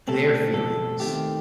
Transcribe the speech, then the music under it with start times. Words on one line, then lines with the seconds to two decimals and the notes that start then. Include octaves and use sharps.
their feelings,
0.08 B2 A3 C4 A4
0.54 A4
1.00 D#3 A3 C4 G4